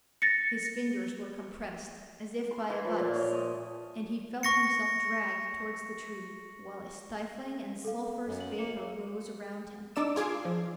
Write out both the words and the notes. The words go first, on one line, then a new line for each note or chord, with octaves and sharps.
His fingers were compressed as if by a vice, and he felt himself dragged towards the tree, while a stifling and sulphurous vapour rose around him.
A6 A#6 C#7
C6
E3
F3
A#2
C#5
D#5
C#6 A#6 C#7
A4 F5
F#2
F#7
A#3 C#7
D4 D#4 D5 D6 E6 E7
F4 G#4 D6 G#6 C7
F3